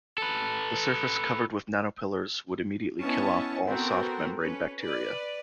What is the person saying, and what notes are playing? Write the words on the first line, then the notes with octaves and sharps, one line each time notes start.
A surface covered with nanopillars would immediately kill off all soft membrane bacteria.
A4 B4
B3 C#4 E4 D#5 A5 C#6
B3 C4 F#4 A4 A#4
C#4 B4
B4 D5